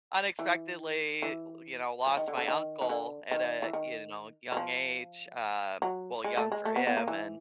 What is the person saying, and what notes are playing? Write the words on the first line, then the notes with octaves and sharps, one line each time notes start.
unexpectedly w you know, lost my uncle at a, you know, young age, uh, well, young for him and,
E3
E3
F3
D#3
D3
D3
D#3
D#3
D3
D#3
E3
D#3
F#3
F3
F#3
G#3
A3
G#3
A3
B3
B3
A#3
E3